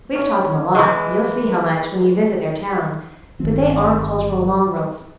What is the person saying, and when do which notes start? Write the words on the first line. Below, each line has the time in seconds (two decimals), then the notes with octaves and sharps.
We've taught them a lot--you'll see how much when you visit their town--but they aren't cultural mongrels.
0.15 C#4
0.75 E3 G#3
3.39 G1 F#2 D#3 C4